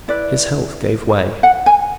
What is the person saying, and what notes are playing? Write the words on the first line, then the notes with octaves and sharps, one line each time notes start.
His health gave way.
E4 B4 D5
F#5
G#5